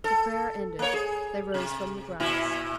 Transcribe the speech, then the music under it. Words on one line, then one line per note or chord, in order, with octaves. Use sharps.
The prayer ended, they rose from the grass.
A4
A#3 C#5
G#4
C3
A#2 E4